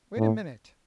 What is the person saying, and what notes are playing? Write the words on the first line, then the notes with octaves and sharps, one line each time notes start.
"Wait a minute."
A2